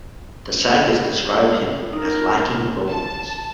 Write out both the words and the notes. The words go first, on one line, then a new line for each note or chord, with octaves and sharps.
The sagas describe him as lacking bones.
D#4 A#4
A5